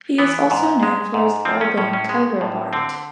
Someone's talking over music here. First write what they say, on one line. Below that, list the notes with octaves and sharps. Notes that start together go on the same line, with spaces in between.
He is also known for his album cover art.
E3 B3
G#2
G#3
G#2
F3 C4
C#4
A2 C#4
C#4
G#3
A2
D3 C4